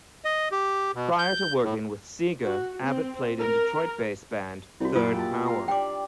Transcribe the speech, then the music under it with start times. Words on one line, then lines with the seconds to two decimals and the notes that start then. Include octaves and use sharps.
Prior to working with Seger, Abbott played in Detroit-based band Third Power.
0.24 D#5
0.52 G4
0.95 B2
1.19 G6
1.64 A2
2.44 F#4
2.83 C4
3.40 A#4
4.80 C2 E4 F#4 G6
4.95 F#2 A#2 F4 D#6 E6 D7
5.14 G4 A5
5.45 A#5 C6 F6
5.68 D4 G4 D5 G5 D6